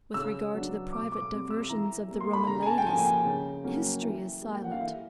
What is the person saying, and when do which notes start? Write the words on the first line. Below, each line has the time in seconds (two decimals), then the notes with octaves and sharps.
With regard to the private diversions of the Roman ladies, history is silent.
0.14 C#3 E6
0.54 F#3 B3 D4
0.92 B2 D6
1.12 D6
1.31 G3 C4
1.50 E6
1.69 E3 A#5
2.08 G3 A#3
2.20 C6
2.33 B5
2.47 C#3 A#5
2.62 G#5
2.66 A5
2.78 G5
2.86 F3 A#3 G#5
2.99 G#5
3.05 G5
3.25 C#3
3.64 F#3 A#3 C#4
4.03 E3
4.42 G3 A#3
4.55 G5
4.64 F#5
4.71 F5
4.80 E3 E5